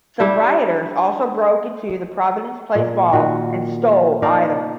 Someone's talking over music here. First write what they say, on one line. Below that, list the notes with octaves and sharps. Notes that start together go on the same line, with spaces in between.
Some rioters also broke into the Providence Place Mall and stole items.
G3 D4 E4 G4
A#2
A#2 D#3 F#4
D#4 A#4 D5 F5